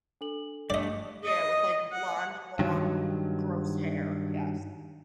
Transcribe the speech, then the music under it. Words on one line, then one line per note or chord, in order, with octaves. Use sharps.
Yeah, with, like, blonde, long, gross hair, yes.
D4 A4 F#7
G2 A3 D5 D#5
D#5
F#5
G2 D#3 F#3